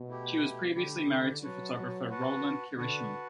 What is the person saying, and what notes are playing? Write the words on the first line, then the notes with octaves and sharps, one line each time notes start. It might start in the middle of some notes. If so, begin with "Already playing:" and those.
She was previously married to photographer Rowland Kirishima.
Already playing: B2
A3 E4 G4
D3 A3 E4 G4
F#3 F#4 B4 F#5 A5
F#3
F#4 B4 F#5 A5
D3 F#4 B4 F#5 A5